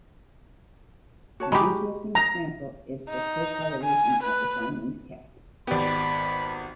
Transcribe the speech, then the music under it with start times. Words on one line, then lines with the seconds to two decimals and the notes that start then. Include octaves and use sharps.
An interesting example is the coat coloration of the Siamese cat.
1.40 F#4 C#5 A5
1.52 G#3 F#4 G4 A#5 B5
2.15 A#5
3.09 D#4
3.84 G#5
4.23 B4
5.67 G#1 B3 G4 D5 B5